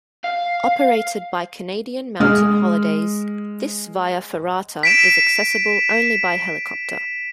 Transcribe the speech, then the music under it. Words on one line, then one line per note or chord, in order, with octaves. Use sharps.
Operated by Canadian Mountain Holidays, this via ferrata is accessible only by helicopter.
F5
G#3 D#6 F6
B6 D7 E7